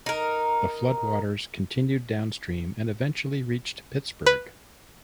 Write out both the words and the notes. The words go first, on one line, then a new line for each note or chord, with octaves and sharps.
The floodwaters continued downstream and eventually reached Pittsburgh.
D#4 A#4
B4